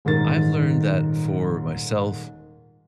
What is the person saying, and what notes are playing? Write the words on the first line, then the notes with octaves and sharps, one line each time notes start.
I've learned that for myself
D#1 G#2 D#3 A#4 A6